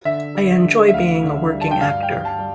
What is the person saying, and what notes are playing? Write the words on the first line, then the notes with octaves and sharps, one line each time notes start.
I enjoy being a working actor.
D3 E5
G3
D3
E5
D2 F5
D3
G3
A5
G5
G2 F5
G5
G3
A5
G3